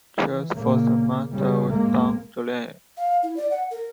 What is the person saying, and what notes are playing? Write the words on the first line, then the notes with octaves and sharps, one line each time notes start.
Choi's first master was Dong Ju Lee.
E3
A#2 C#3 A#3
C#3 G3
F#2 A2 G#3 A#3
F5
E4
D5
F#5
A#4